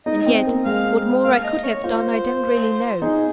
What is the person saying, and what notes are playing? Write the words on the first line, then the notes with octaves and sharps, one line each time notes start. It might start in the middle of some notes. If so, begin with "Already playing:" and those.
And yet, what more I could have done I don't really know.
D#4 D#5
C4
A#3
G#3 F5
A#3 F5
D#5
C#5
F4 C5
D#4 G#4